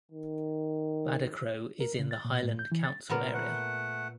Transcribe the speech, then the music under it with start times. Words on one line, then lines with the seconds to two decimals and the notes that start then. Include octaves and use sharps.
Badachro is in the Highland council area.
0.11 D#3
1.80 A#4
1.99 C#3
2.11 A6
2.25 A#2
2.43 A2
2.59 G6
2.72 E3
2.84 A6
3.09 A#2 B3 A#4
3.34 A3 F#5